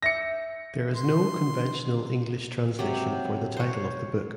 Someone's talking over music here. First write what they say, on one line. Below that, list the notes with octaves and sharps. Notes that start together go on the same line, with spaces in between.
There is no conventional English translation for the title of the book.
E5 E6 G6 A#6 C#7
C6
C3 F#3 G4
C5 C#5